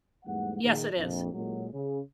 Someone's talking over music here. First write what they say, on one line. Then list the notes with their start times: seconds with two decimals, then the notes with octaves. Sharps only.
Yes, it is,
0.25 E2 G#2 G3 A3 F#5
0.62 A#2 D#3 G#4
0.97 A#1 F2
1.32 A1 A#2 F#3 G#3
1.73 C#3